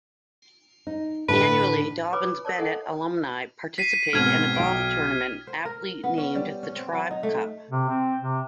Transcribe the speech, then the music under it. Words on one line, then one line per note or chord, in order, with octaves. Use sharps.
Annually, Dobyns-Bennett alumni participate in a golf tournament aptly named the "Tribe Cup".
D#4
A2 D3 B4
B4 C#5 G#5 B5 D6 D#6
A#4 C#5 D5 A5
A4 D#5 F#5 G#5 A5
B6 C7 D#7
G#2 B2 C4 F6 G#6
B1 G5 D7
C5
A#4
B3
C#4
G3
C#4
C4
F#3
D#4
A3
C3
C4
C3